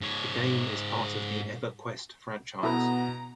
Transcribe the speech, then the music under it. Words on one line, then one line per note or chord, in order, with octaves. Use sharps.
The game is part of the "EverQuest" franchise.
G#2 C#5
B2 B3 E4 A4 B4 A#5